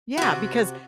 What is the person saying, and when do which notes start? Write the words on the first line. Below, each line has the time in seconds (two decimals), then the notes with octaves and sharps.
yeah, because
0.17 C3 F#4